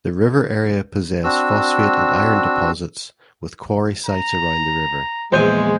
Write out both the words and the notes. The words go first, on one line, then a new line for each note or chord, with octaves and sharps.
The river area possess phosphate and iron deposits with quarry sites around the river.
C4 D4 F#4 E6
A#5
A#1 E2 G#3 C5 G#5 G6